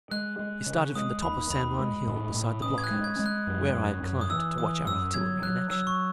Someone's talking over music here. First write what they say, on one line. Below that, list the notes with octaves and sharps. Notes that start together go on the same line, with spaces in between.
It started from the top of San Juan Hill beside the block-house, where I had climbed to watch our artillery in action.
G#3 F#6
G#3
C#3
G#3 D#6
D#2 B5
D#2 B5
G#3
A2
A2
C#4 D#6
G#6
F#6
G#3
G#6
G#3
F#6
F#2
F#2
F#2
D#6
E3 E6
E3 D#6
F#2 E6
F#3 G#6
F#3 F#6
F#3 E6
C#6